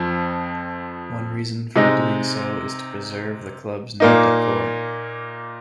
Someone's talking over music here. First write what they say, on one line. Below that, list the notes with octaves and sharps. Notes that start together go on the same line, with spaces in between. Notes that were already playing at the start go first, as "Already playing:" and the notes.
One reason for doing so is to preserve the club's new decor.
Already playing: F2 F3 C4
C3 G#3 D#4
A#2 A#3 D#4